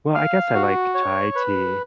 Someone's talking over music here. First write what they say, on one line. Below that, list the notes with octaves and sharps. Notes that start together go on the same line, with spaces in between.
Well, I guess I like chai tea.
F5
F#4
C#5
B4